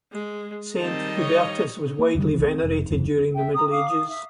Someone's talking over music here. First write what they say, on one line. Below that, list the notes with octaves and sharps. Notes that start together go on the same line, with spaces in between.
Saint Hubertus was widely venerated during the Middle Ages.
G#3
D#3 G3 C4 D#4 A5
C#5 D#5
A#3
F1 D3 D#3 G3
C2 E3
C4
F1
F#1 E2 B2 E3
E5 G5
A#5 D#6
F5 D6 D#6
D#6
E5